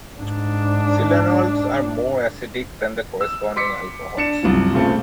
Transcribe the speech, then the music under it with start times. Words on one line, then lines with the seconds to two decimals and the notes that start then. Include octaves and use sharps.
Silanols are more acidic than the corresponding alcohols.
0.16 G#2 D4
3.21 E6
3.56 C6 D6 B6 C#7
4.17 D4 C#7 E7
4.43 C2 F#2 F3
4.74 A#2 C#3 A3 C4 A4